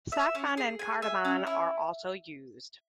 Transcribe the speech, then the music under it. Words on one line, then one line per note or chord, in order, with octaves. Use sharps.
Saffron and cardamom are also used.
E5
C#4
G#4
G#5
E5
C#4
E4